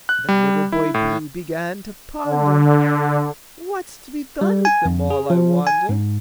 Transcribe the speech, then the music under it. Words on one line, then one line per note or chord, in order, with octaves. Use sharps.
Then Little Boy Blue began to ponder: "What's to be done with them all, I wonder."
F#6
G3
E4
A2
D3
G3
G#5
F2
G#4
F3
G#5
G#2